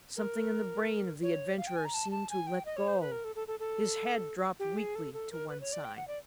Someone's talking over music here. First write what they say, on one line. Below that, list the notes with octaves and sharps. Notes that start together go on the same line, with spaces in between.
Something in the brain of the adventurer seemed to let go; his head dropped weakly to one side.
A#4
C#5
F5
G5
G#5
A#5
A5
A5
G#5
G5
D#5
C#5
C5
B4
A#4
A4
A4
A4
A4
G4
G#4
A4
A4
A#4
B4
C#5
D5
G5
F#5
D5